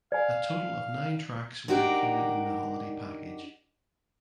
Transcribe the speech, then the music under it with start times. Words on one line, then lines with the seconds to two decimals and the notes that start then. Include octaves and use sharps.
A total of nine tracks were included in the holiday package.
0.12 D5 F5 G#5
1.68 D4 D#4 F#4 G4 A#4